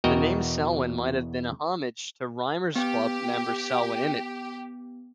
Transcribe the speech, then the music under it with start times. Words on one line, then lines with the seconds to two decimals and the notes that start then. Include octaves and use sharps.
The name "Selwyn" might have been an homage to Rhymers' Club member Selwyn Image.
0.04 E2 B2 F#4 A#4 D#5 G5
2.76 B3 G4